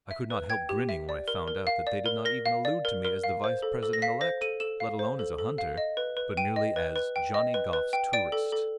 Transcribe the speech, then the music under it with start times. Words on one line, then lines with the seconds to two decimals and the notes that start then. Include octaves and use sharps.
I could not help grinning when I found out that they did not even allude to me as the Vice-President-elect, let alone as a hunter, but merely as "Johnny Goff's tourist."
0.11 E5
0.30 B4
0.50 G5 G#6
0.69 G4
0.89 E5
1.09 D5
1.28 A#4
1.48 A#4
1.67 F5
1.87 D5
2.06 A#4
2.25 A#4 A#6
2.46 F5
2.65 D5
2.85 A#4
3.05 A#4
3.24 F5
3.44 C5
3.62 A4
3.83 A4
3.93 A#6
4.02 F5 B6
4.21 C5 A#6
4.41 A4 D#7
4.60 A4 E7
4.80 F5
4.99 C5
5.19 A4
5.38 A4
5.58 F5
5.78 D#5
5.97 B4
6.17 B4
6.37 G5 D#7
6.56 D#5
6.76 B4
6.96 B4
7.16 G5
7.34 D#5
7.54 B4
7.73 B4
7.93 G5
8.13 D5 D7
8.32 A4
8.52 A4